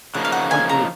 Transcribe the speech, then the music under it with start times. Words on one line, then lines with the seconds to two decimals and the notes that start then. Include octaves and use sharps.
What do we
0.14 C#3 F3 A#3 D#4 F#5
0.25 F5
0.32 F#5
0.51 G#5
0.69 A#5